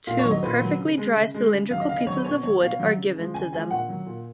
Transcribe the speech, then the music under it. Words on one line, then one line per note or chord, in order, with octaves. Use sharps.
Two perfectly dry cylindrical pieces of wood are given to them.
A#2 F5
C#5
F#3
D#5
A#2 B4
F#3
C#3
G#3
C#3
G#3
C#3
F#3 F5
D#5
C#3 F5
D#5
F#3 C#5
B4
B2 C#5
F#3 C#5
B2 F5
F#3
C#3
F3 G#3
C#3 G#5
F3 G#3 G#5
A#2 F#5
F#3
A#2